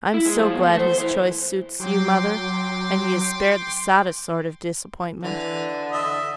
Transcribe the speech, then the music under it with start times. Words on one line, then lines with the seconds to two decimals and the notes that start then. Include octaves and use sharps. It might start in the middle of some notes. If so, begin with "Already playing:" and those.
'I'm so glad his choice suits you, mother, and he is spared the saddest sort of disappointment.'
0.14 E4
0.26 G#3
0.39 F3
0.53 B2
0.67 A3
0.79 C5
0.98 E3
1.80 F#3 G5 C6 D6
5.23 D3 E3
5.92 D#5 E5